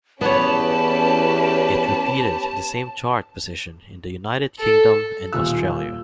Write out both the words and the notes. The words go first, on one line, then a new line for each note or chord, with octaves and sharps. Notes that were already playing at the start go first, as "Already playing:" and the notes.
It repeated the same chart position in the United Kingdom and Australia.
E2 B3 C#4 G4 B4 C#5 A5
A4
D#1 F4 E6